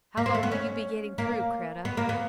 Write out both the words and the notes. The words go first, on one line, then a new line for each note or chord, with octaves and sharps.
"How long will you be getting through, Kreta?"
A#3
C4
A3
B3
C#4
A#3
B3
A#3
B3